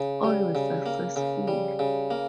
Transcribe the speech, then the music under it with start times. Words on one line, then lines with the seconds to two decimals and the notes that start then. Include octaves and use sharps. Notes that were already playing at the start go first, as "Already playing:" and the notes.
All were successful.
Already playing: C#3
0.24 G3
0.55 C#3
0.86 A#3
1.16 C#3
1.48 G3
1.79 C#3
2.11 A#3